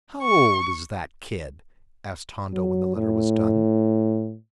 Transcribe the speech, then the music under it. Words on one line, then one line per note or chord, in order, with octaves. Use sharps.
"How old is that kid?" asked Hondo when the letter was done.
C#6
F#3
A2